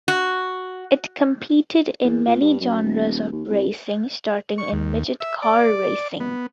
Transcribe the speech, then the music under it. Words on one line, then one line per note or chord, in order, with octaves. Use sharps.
It competed in many genres of racing starting in Midget car racing.
F#4
E2
A#2
G2
F#2
D#1
D#2
C2
C#6
D#2
E5
D5
B3